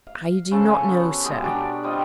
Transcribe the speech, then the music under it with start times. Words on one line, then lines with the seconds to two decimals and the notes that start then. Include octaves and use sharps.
"I do not know, sir!"
0.07 F5
0.51 C#3 C#4 A4 C5
0.84 B3 F#4
1.25 B2 G#3 G4 G#4
1.44 D4 F#4 G4 D5
1.83 G3 C4 F4 D#5